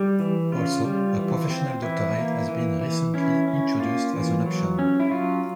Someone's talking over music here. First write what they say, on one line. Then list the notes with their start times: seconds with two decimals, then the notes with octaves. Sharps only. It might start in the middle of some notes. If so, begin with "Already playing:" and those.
Also, a professional doctorate has been recently introduced as an option.
Already playing: G3
0.20 E3
0.52 C#3 F4
0.84 G3
1.17 E3
1.50 C4
1.83 E3 E4
2.16 A#3
2.48 E3
2.81 E3
3.14 C#4 E4
3.48 C#4
3.79 A#3 F4
4.13 E3
4.46 F#3
4.79 C#4
5.00 E4
5.11 F#3 F4